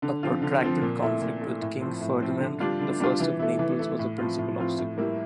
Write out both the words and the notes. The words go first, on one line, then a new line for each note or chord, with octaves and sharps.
A protracted conflict with King Ferdinand the First of Naples was the principal obstacle.
D3
F3 C4 F4
D3
F3 C4 F4
A#2
A3 E4
A#2
A3 E4
A2
F3 C4 E4
A2
F3 C4 E4
D3
G3 D4 F4
D3
G3 D4 F4
E3
A3 E4
E3
A3 E4
A2
F3 C4 F4
A2
F3 C4 F4
A2
G3 A#3 E4